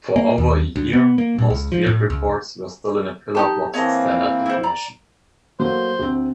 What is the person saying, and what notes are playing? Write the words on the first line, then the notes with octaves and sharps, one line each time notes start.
For over a year, most field reports were still in pillarboxed standard definition.
A#3
D#2
D2
B3
A#3
A#2
C#2
F3
A2
C#2
D#4 G4 A5
E3 A#3 C4 C#5 D#5 A5
E4 C5
D5 A#5
F#3 A3 A#3 C5
D2 C4